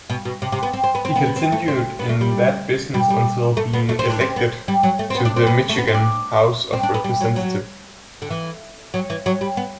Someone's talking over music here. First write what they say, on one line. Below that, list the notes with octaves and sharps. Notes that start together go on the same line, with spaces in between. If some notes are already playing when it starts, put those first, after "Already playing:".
He continued in that business until being elected to the Michigan House of Representatives.
B2
B2
C3
C3
B3
C4
C4
B3
C4
B3
B3
C4
A3
C4
B3
A3
G3
G3
G3
A3
B3
A3
C4
D4
C4
B3
G3
F#3
A3
C4
B3
D4
C4
B3
A3
B3
C4
D4
C4
D4
B3
G3
F#3
F#3
D3
E3
F#3
E3
F#3
G3
B3